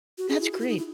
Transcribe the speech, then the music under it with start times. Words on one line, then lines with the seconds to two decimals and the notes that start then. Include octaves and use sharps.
That's great.
0.18 F#4
0.29 G#4
0.40 E4
0.51 F#4
0.60 E4
0.69 D#4
0.77 E4